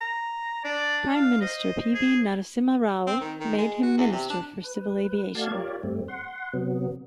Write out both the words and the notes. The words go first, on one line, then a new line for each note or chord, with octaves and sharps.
Prime Minister P. V. Narasimha Rao made him Minister for Civil Aviation.
A#5
D4 D5
F5
C5 D#5
G#4
C4
D#3
D#3
G#3
F#4
E2
C3
D4
B4
A3 F#4 D5 F5 A5 G#6
F4 G4 A#4 C#5 D5
G2 G3 A3 C4
F#5 C6
C3 F#3 B3